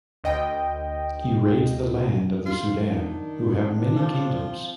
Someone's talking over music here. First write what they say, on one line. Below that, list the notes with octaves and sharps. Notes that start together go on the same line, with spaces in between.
He raids the land of the Sudan who have many kingdoms.
D2 D#5 G5
F4
D#3 D4
C4 D4
F3